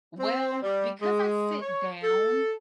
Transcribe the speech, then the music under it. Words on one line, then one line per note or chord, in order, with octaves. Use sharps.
Well, because I sit down
C4
G3
G#3
C#5
A4